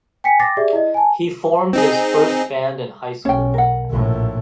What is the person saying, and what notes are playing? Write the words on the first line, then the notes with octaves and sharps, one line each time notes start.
He formed his first band in high school.
G5 G#5 B6 C#7
G5 D6 A6 A#6 C7
G4 G#4 D5 E5
E4 D#5
G#5 A5
C4 D#4 G#4
B1 C#4 G5
A#4 F#5
A#1 A2